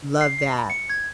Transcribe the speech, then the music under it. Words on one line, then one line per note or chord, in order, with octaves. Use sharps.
Love that.
C7
C7
B5
C#7
G#6